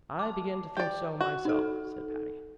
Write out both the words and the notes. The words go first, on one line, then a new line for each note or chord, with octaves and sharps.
"I begin to think so myself," said Patty.
A5 D6
G4 D5
F#4
D#4 A4